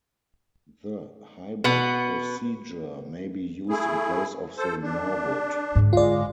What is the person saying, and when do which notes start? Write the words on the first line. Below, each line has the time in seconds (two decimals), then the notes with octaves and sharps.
The Hybrid procedure may be used in place of the Norwood.
1.64 B2 B3
3.69 A3 E4 G#4
4.57 A4 C5
4.83 D4
5.75 G#2 D3
5.93 G#3 F4 D5